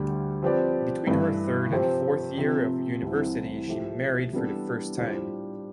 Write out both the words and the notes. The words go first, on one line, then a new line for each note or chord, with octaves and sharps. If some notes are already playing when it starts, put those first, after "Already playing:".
Between her third and fourth year of university she married for the first time.
Already playing: D2 D3 G3
F3 C4 G4 B4 D5
G2 E3 A3 E4 B4
C3 F3 C4 G4
C3 F3 C4 G4 C5
C2 C3 E3
F3 A3 E4 G4
E3 G3 B3 D4 A4
A2 G3 D4 F4 C5